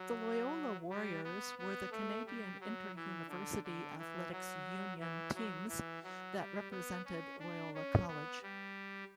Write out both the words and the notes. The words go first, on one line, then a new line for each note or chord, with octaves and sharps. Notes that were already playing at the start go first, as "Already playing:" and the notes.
The Loyola Warriors were the Canadian Interuniversity Athletics Union teams that represented Loyola College.
Already playing: F#3
G3
B3
B3
A3
G3
F#3
E3
D3
D3
E3
F#3
E3
F#3
E3
F#3
G3
B3
C#4
D4
C#4
B3
G3